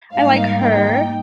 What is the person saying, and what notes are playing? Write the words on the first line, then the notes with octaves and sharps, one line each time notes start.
I like her.
G#2 G3 A#3 D#4 F5
G5